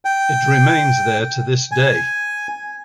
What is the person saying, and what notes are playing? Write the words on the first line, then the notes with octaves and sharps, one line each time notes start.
It remains there to this day.
G5
G#5